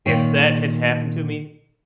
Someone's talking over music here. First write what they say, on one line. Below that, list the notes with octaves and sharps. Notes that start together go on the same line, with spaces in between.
if that had happened to me
A#2 D#3 C#5 G5